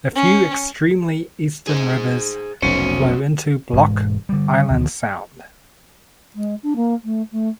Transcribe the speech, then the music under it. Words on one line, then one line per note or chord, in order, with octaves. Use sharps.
A few extremely eastern rivers flow into Block Island Sound.
C#4
G#4 C5
F1 B1 F2 C#4 F#4 C5
E1 G#2 G#3
D3 G3
D2 D#3 F3
G#3
D4
A#3
A3
A3